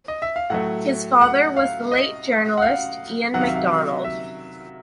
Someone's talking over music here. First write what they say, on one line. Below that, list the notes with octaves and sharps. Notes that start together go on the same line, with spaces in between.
His father was the late journalist Iain Macdonald.
D#5
E5
F5
A2 F#3 A3 F#5
F#5
F5
D#5
F#5
F5
C3 D#3 F#3 F#5
F5
E5
F5
E5